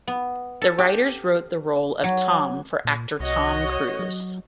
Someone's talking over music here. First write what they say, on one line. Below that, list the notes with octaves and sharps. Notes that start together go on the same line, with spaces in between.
The writers wrote the role of Tom for actor Tom Cruise.
B3
A4
G4
F#3
A#2
C2 F#4 C#5 D#5
F#3